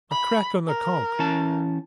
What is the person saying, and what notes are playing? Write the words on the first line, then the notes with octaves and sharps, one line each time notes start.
A crack on the conk.
B5
A#4
E3 C#4 A5